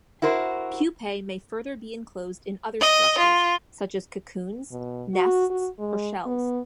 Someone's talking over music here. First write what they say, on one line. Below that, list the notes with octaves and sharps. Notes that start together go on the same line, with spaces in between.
Pupae may further be enclosed in other structures such as cocoons, nests or shells.
E4 F#4 A#4 C5
D#5
F4
B2
F#4
F#4
G#3
B3